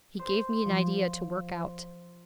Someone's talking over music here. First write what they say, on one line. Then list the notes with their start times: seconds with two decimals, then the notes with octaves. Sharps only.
He gave me an idea to work out.
0.19 C5
0.65 F3